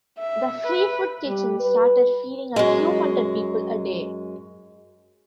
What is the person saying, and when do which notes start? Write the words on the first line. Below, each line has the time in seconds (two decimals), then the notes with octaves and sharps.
The Free Food Kitchen started feeding a few hundred people a day.
0.19 E5
0.67 B4
1.27 G3
1.60 B4
2.56 F#2 G#3